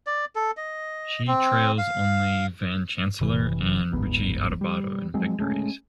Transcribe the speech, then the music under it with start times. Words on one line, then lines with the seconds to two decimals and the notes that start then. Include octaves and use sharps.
She trails only Van Chancellor and Richie Adubato in victories.
0.07 D5
0.36 A4
0.57 D#5
1.27 C4
1.78 F5
3.21 F#1 C3 E3
3.92 D1 G1 G#2 B3
4.61 G3
5.14 F3 F#3 G#3 C4
5.39 G#3 A3 C4 C#4